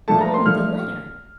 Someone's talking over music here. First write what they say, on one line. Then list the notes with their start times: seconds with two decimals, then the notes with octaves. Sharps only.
"No; the letter."
0.08 A#2 F3 A3 A5
0.21 A#5
0.34 C6
0.46 A#2 F3 A3 F6